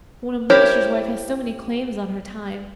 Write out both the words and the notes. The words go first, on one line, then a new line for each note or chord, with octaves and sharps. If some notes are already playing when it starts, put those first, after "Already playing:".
When a minister's wife has so many claims on her time!
E4 G4 A#4 C5 C#5